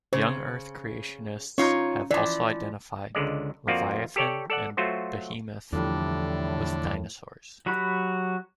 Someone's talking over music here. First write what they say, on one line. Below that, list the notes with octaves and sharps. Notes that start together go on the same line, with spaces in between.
Young Earth Creationists have also identified Leviathan and Behemoth with dinosaurs.
C#3 C5
C#4 D#4 F4 C#5
E3 F3 D5
C#2 D3 G#3 D5
F2 F3 A#3 F4 F#4 D5
G4 A4 C#5 D5 G5
A4 D5 F#5
F#3 A3 F4 F#4 C5
E2 A2 D3 F3 G3 D4
F#3 F#4 G4 B5 F#6